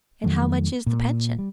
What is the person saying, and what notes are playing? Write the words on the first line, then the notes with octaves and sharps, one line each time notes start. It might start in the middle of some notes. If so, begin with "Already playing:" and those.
"And how much is the pension?"
F2 D#3 F#3 A3
A#2
G3